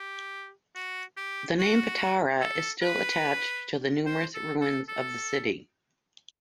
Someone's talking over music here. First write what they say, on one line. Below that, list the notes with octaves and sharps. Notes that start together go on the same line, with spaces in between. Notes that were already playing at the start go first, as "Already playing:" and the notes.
The name Patara is still attached to the numerous ruins of the city.
Already playing: G4
F#4
G4
F#4
A4
B4
C5
A4
A4
A4